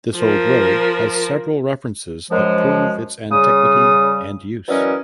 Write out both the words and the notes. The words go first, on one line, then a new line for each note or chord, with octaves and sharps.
This old road has several references that prove its antiquity and use.
F3 A#4
F#2 F3 G#3
C#3 G3 D#6
E3 F#3 C#4 A#4 D5 D#5